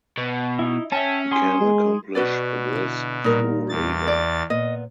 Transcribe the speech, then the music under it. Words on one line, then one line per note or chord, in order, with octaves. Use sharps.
We can accomplish this through labor.
B2
D#4 E4
C#4 E5 G5 A5
G#4 G#5 C6
G#3
B2 F#4 B4 D5
D3 E4
A#2 G3 D#4 A#4
E2 A6
D5
A#2 B3 D#5